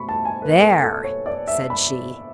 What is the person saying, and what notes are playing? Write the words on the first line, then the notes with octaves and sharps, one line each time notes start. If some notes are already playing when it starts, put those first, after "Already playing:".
"There!" said she.
Already playing: B2 A3 B5 C#6
A5
G#5
B4
A4
A4
C#5
D5
E5
B5